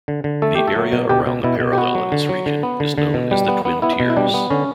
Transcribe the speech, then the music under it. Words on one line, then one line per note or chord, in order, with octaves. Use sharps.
The area around the parallel in this region is known as the Twin Tiers.
D3
D3
A3 A4
A3 G4
A4
F#3
B2
B2 G4
B2
B2 E4
B2
G4
B3 F#4
F#3
D3
F#3
D3
B3
D3
D3
B2
G3
B3
B3
B3 E4
B2
E4
G3 D4
B3
D3 C#4